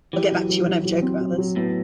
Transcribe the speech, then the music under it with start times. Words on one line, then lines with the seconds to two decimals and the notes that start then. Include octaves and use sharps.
I'll get back to you when I have a joke about this.
0.13 E3 G4
0.31 F#3
0.49 F#3
0.67 F#3
0.85 F#3
1.02 C4
1.20 F#3
1.38 F#3
1.56 A2 B3